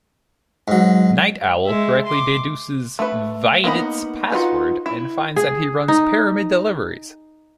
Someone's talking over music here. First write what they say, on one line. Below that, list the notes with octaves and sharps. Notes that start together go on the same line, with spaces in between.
Nite Owl correctly deduces Veidt's password and finds that he runs Pyramid Deliveries.
G#2 F#3
G#3 E5
C6 D6
A3 B4
A#3 B3 D#4 B5
D#4 F4 F#4 B4
E4
G#4
D#4